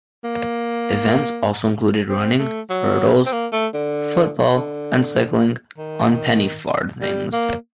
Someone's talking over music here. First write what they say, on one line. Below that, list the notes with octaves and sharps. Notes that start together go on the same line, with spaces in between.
Events also included running, hurdles, football and cycling on penny farthings.
A#3
C4
A3
F#3
C4
A#3
A3
D3
D3
D#3
G3
A#3